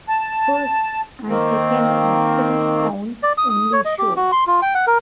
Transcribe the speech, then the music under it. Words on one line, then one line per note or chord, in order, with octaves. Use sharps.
First and second of three counts only shown.
A5
D#3 A#3 C4
D5
D#6
D#6
C#5
D#5
G4
F#4
C6
F4
G5
F#5
A#4